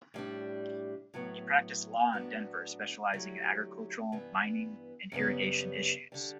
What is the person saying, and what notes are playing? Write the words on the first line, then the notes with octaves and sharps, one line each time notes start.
He practiced law in Denver, specializing in agricultural, mining, and irrigation issues.
A2 G3 D4
A2 F#3 B3
A2 F#3 B3 D4 F#4
D3 F#3 A3 E4 G4
G2 E3 B3
F#2 C#3 G3 B3
D3 G3